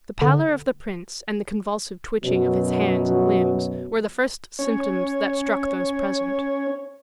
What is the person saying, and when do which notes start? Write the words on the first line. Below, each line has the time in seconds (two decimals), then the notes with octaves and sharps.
The pallor of the prince, and the convulsive twitching of his hands and limbs, were the first symptoms that struck those present.
0.21 D3
2.24 F#2 B2 F#3
4.59 C#4 C#5